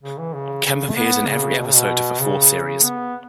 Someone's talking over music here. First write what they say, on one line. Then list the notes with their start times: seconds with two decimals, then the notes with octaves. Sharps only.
Kemp appeared in every episode of the four series.
0.03 C#3
0.18 E3
0.34 C#3
0.65 C#3
0.90 A3
0.96 B3
1.27 C#3
1.59 B2
1.66 C#3
1.75 B2
2.21 C#3
2.82 B3